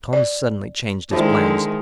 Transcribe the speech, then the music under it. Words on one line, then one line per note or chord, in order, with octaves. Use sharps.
Tom suddenly changed his plans.
D5
D3 D#3 F3 G#3 E4 F4